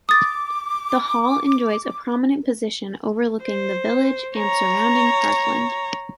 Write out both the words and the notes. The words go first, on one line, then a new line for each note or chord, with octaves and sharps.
The hall enjoys a prominent position overlooking the village and surrounding parkland.
D6 D#6 A6
C5
C#5 A#5